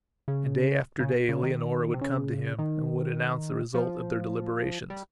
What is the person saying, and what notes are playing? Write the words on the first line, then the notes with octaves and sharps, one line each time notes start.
And day after day Leonora would come to him and would announce the results of their deliberations.
C#3
C#3
C#3
D#3
C3
C#3
D#3
F3
G3